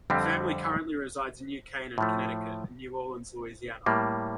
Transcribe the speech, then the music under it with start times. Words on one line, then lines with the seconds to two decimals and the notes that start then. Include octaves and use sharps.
The family currently resides in New Canaan, Connecticut and New Orleans, Louisiana.
0.10 F2 D3 G3 C4 G4
1.98 A2 F3 A3
3.86 A2 G3 A#3